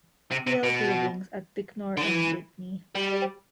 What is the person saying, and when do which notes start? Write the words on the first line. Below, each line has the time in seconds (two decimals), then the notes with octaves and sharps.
He held livings at Bicknor and Lydney.
0.31 C3
0.47 C3
0.63 B2
1.97 D3
2.02 E3
2.95 G3